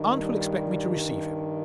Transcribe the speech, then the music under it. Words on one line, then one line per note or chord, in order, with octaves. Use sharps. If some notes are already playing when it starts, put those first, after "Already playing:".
Aunt will expect me to receive him.
Already playing: G2 D#3
G3